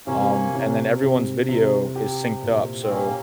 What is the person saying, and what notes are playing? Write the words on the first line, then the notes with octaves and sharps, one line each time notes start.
um, and then everyone's video is synced up. So,
C3 A#3 C#4
C3
C3
C3
G4
A#2
C4
A#3 C#4 G4